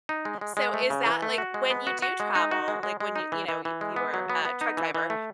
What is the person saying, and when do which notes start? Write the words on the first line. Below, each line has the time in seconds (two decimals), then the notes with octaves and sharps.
So, is that like when you do travel, like, when you, you know, you if you were a truck driver
0.09 D#4
0.25 G#3
0.41 G#3
0.57 G#3
0.74 A3
0.90 C#3
1.06 E3
1.22 A3
1.38 F#4
1.54 G#3
1.70 B3
1.87 F#4
2.02 F#4
2.20 G#3
2.35 D#4
2.51 F#4
2.68 G#3
2.83 G#3
3.00 G#3
3.16 D#4
3.32 E3
3.49 E3
3.65 E3
3.81 G#3
3.96 B3
4.14 F#3
4.30 B3
4.45 B3
4.61 D#4
4.77 E3
4.95 E3
5.10 A3